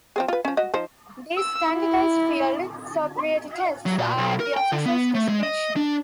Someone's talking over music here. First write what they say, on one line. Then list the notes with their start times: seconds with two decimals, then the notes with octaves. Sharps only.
These "standardized field sobriety tests" are at the officer's discretion.
0.16 F3 C4 G#4
0.28 F4 B4
0.45 F3 C#4
0.57 F#4 D#5
0.74 F3 D#4 C5
1.37 E6
1.73 E4
3.86 F#3
3.98 A#2
4.18 B1
4.40 A#4
4.57 G5
4.72 D3
4.85 B3
5.15 A3
5.28 G#3
5.43 D#5
5.76 D4